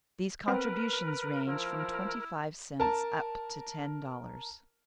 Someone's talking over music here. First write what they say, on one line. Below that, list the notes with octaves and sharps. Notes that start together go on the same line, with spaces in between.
These contributions range from twenty-five cents up to ten dollars.
B3 C4 A#4 B4
F3 E4
A#4 A5